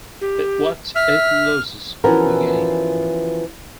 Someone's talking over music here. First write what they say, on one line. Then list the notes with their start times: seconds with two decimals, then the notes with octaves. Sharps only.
But what Eton loses, we gain.
0.21 G4
0.96 E5 F6
2.04 E3 F3 B3 C#4 F#4 A#4